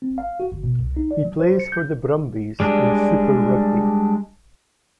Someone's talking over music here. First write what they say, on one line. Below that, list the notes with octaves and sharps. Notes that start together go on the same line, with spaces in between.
He plays for the Brumbies in Super Rugby.
C4
F5
F#4
G1
B2
C2
D#4
D5
F#3
C5
C#7
G6
G3 G#3 D4